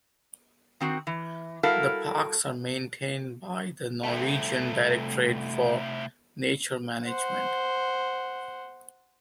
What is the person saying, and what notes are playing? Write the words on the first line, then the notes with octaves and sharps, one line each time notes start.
The parks are maintained by the Norwegian Directorate for Nature Management.
D#3 C4 F#4
E3
G3 E4 F#4 A4 A#4 F5
C2 A3
C5 F#5